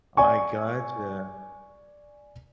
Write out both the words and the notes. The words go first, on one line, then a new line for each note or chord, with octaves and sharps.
I gotcha.
D5 G#5 C#6